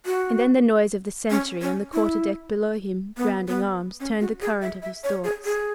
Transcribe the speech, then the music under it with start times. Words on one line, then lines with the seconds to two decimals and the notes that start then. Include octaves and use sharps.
And then the noise of the sentry, on the quarter-deck below him, grounding arms, turned the current of his thoughts.
0.06 F#4
1.30 C#4
1.62 C#4
1.93 E4
3.17 B3
3.48 B3
4.00 C#4
4.21 F#4
4.42 G#4
4.62 E5
4.82 E5
5.04 C#5
5.24 G#4
5.45 G#4